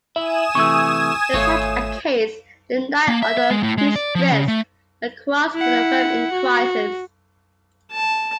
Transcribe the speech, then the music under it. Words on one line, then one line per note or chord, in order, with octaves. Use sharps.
In such a case, the knight, under huge risk, acquires the firm in crisis.
E4 E5 G#5 D#6 E7
C3 E3 A3 C#6 E6
G#1 A3 F4 C#5
A#3
E5
E5
G#3
A2
G#3
D5
F3
C#3
A3
E4 F#5
F#4
A5